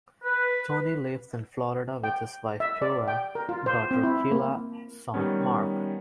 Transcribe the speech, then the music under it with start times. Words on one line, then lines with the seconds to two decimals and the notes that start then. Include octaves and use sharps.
Tony lives in Florida with his wife Pura, daughter Keila, son Mark.
0.23 B4
2.04 G5
2.60 E5
2.82 D5
3.08 G5
3.35 A#4
3.49 F4
3.66 C5
3.91 C4
4.03 E4
4.32 A#3
5.14 D#3 G3 B3 C#4